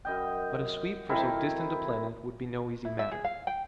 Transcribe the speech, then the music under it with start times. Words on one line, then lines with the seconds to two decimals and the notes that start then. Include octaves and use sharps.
But a sweep for so distant a planet would be no easy matter.
0.05 F#2 D#5 G5
1.09 D#3 C4 E4 A4
2.85 E4
2.99 E5
3.11 G#4
3.25 F5
3.47 G5